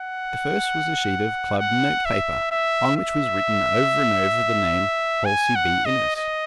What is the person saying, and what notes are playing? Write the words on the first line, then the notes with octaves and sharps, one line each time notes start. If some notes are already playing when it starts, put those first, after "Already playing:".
The first was a sheet of club note-paper, on which was written, over and over, the name "Halsey B. Innes."
Already playing: F#5
F#5
E5
E5
E5
G#5
F#5
D#5
D#5